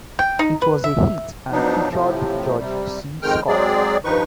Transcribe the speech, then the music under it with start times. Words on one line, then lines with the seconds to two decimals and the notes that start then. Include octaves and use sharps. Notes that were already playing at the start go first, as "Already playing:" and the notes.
It was a hit and featured George C. Scott.
0.19 G5
0.39 D#4
0.62 B4
0.84 E5
1.52 F3 F#3 B3 D4 D#4
1.89 A2 C3 F3
2.58 C3 G3
3.22 F2 D#3 G#3 G5 F6
3.48 F#3 G#3 C4 G#4 D5
4.04 G2 D#3 F3 D#4 B4 C#6